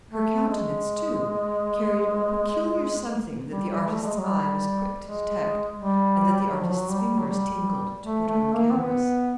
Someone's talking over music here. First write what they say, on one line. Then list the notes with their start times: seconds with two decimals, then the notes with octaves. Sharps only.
Her countenance, too, carried a peculiar something that the artist's eye was quick to detect, and that the artist's fingers tingled to put on canvas.
0.11 A3
0.48 G#3
3.50 G3
3.69 G3
3.88 A3
4.02 A3
4.06 G#3
4.18 F#3
4.26 G3
5.02 G#3
5.77 G3
6.52 F#3
6.62 F3
6.71 F#3
6.89 G3
7.18 F#3
7.27 G3
8.03 A3
8.28 A3
8.53 A#3
8.71 C4
8.79 B3